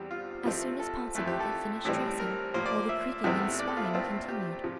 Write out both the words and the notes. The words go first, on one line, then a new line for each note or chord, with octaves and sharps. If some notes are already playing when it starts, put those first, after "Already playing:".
As soon as possible they finished dressing, while the creaking and swaying continued.
Already playing: E2 E3 G3 C4 G4
F4
C3 F3 A3 C4
A4
F2 E3 A3 A4
G4
A4
A2 E3 G3 C4
A#4
A2 F3 A#3 C5
D5
E5
E2 C3 E3 A3 C4
D5
A4
F4
E4
A#2 A3 C4 F4
G4
C3 F3